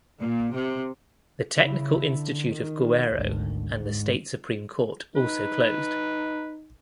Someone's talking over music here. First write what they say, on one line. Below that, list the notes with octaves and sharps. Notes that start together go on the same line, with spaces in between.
The Technical Institute of Guerrero and the state Supreme Court also closed.
A#2
C3
C#3 E4
D3
D#3
G#1 D2
G#2
D#4 B4